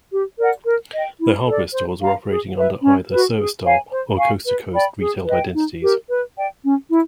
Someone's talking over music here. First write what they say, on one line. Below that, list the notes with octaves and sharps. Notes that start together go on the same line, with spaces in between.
Their hardware stores were operating under either ServiStar or Coast to Coast retail identities.
G4
A#4 D5 F#5
A#4
D#5 G5
E4
A4 D5
C5
F5 A#5
G#4
B4 E5
C#4
F#4 B4
G#4
C#5 F5 G#5
C5
F5 G#5 C#6
B4
D5 G5 B5
G#4
B4 D#5 G5
D#4
G4 A#4
B4
D5 G5
C#4
E4